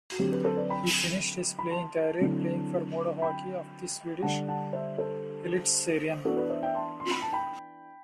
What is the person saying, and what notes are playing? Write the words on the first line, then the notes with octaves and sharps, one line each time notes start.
He finished his playing career playing for Modo Hockey of the Swedish Elitserien.
F#4
D3 F#3 C4 G4
G4 B4
A4 C5
B4 D5
G5 B5
B5
A5 C6
D3 F#3 C4 E4
G5 B5
D3 G3 D4 F#5 A5
F#5 A5
C5 E5
A4 C5
E3 B3 D4 F#4 A4
B4 D5
C5 E5
E5 G5
A5 C6
C6
B5
A5
G5 B5